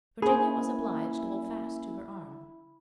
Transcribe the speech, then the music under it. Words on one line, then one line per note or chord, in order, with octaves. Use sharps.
Virginia was obliged to hold fast to her arm.
A#3 C#4 E4 G#4 C5 G#5 B5